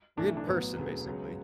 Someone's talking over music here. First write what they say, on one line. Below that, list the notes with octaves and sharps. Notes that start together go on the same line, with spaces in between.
A good person, basically.
B1 A2 E3 A3 D4
E4
D4
A1 A2 F#3 B3
E1 D2 C#3 F#3 A3
C#2 C#3 F#3